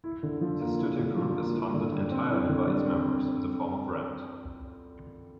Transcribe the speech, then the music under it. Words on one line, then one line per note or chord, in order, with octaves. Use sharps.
The studio group is funded entirely by its members, in the form of rent.
E4
D3
F3
A#3
E4
D3
F3
A#3
E4
D3
G3
C4
E4
D3
G3
C4